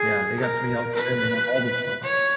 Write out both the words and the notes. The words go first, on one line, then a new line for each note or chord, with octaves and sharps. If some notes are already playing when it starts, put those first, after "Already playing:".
Yeah, they got free healthcare, and they have all the jobs.
Already playing: G#4
A#4
B4
C#5